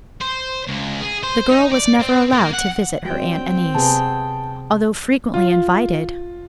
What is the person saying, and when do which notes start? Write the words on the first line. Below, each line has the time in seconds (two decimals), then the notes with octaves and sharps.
The girl was never allowed to visit her Aunt Annice, although frequently invited.
0.21 C5
0.67 C#2
1.01 G#4
1.23 C5
1.51 D#4
1.72 D5
2.00 C4
2.33 A#3
2.54 F#5
3.05 F#3 G3 C4 G5
3.75 C3 B3 G#4 A5
5.34 F4